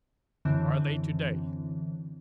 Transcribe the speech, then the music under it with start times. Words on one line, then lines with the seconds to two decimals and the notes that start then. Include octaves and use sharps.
Are they to-day?
0.45 F#2 D3 E3 C4